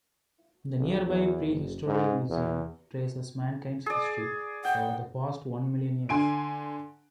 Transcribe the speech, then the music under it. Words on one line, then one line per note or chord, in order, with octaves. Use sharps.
The nearby Prehistory Museum traces mankind's history over the past one million years.
B1
E2
F#1
G#2
E2
G#4 D5
F#5 G5
D3 G#5 C6 D7